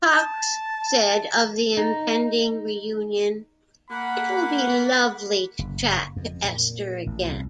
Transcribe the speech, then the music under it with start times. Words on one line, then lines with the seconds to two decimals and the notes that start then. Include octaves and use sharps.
Cox said of the impending reunion: It'll be lovely to chat to Esther again.
0.15 A5
1.77 D#4
3.90 A#3 F#5 B5
5.59 F#1
6.16 F2
6.44 A#2
7.06 A1
7.29 C2